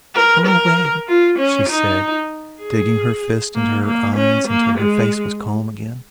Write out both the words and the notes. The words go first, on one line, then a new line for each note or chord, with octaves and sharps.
"Go away!" she said, digging her fist into her eyes until her face was calm again.
A#4
A#4
F4
C#4
D#4
G#4
A#3
A#3
C#4
A#3
G#3